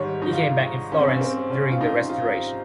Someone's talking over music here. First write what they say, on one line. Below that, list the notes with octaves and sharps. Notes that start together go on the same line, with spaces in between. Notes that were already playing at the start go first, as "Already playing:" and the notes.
He came back in Florence during the Restoration.
Already playing: G#2 D#3 G3 C#5
D#4
F4
C#4
C4
C#4
C4
C#4
F4
D#4
F4